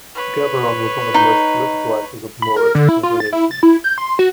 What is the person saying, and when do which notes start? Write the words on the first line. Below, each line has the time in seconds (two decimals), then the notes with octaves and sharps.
Gerberon was one of the most prolific writers of the Maurist Congregation.
0.15 B4 C#5
1.14 D#4
2.42 B5
2.56 A#4
2.75 D3
2.89 E4
3.03 F4
3.20 A6
3.33 E4
3.51 A6
3.63 E4
3.84 G6
3.98 C6
4.19 F#4